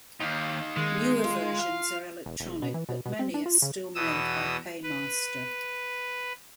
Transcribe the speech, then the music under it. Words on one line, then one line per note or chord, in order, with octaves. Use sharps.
Newer versions are electronic, but many are still made by PayMaster.
D#2 D#4 F5
D#3 G#3
F4
F5
E1
E1
B2
E3
B2
B2
C4
D4
F4
C#3
E2 B2 D#6 E6
B4